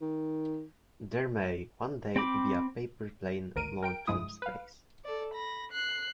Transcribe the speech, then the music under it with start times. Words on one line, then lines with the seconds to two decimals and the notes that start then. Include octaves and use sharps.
There may one day be a paper plane launched from space.
0.01 D#3
2.16 C4 G5 B5 D6
3.56 G#1 D2 A#4 D7 D#7
3.83 A#4 G5 D7
4.07 C2 G2 F3 G#3 E4 D#6
4.42 B4 F5
5.05 A4 D5
5.34 B5 A#6
5.72 F#6 C7